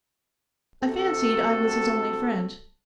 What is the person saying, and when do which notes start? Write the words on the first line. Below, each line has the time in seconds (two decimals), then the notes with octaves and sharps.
I fancied I was his only friend.
0.83 D2 C3 F#4 A4